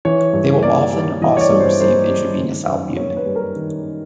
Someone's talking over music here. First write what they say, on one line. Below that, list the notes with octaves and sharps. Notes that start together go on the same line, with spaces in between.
They will often also receive intravenous albumin.
E3 C#5
G2
A#3 D5
G3
E3 D#5
C#5
D5
G2
C5
A#3 C5
G3
D#3
F#2
A#3 C#5
B4
G3
A#4
D#3